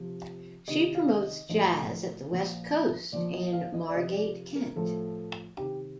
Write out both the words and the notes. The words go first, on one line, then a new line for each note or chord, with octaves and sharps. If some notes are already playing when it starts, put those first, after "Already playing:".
She promotes Jazz at the Westcoast in Margate, Kent.
Already playing: C3 F3
C3 D#3 D#5
F5
D#5
A2 F3 D#5
A#2 F3
A#2 F3 D5
D#5
F5
D#5
D5
C3 F3 D#5
D5
A#4
A2 F3 A4
C3 D#3 G4